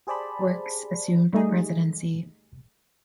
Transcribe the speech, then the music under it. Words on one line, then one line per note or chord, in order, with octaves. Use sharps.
Works assumed the presidency.
G4 G#4 C5 D5 A5 B5
G3 A3 D#4 G#4